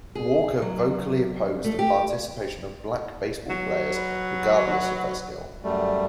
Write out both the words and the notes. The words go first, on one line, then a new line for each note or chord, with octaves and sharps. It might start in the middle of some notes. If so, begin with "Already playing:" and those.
Walker vocally opposed the participation of black baseball players regardless of their skill.
G#4
F#3
A3
G4
F#3
B4
F#2 G3 A3